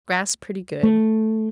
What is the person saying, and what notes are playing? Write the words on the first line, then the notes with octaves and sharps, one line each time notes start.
Grass pretty good.
A3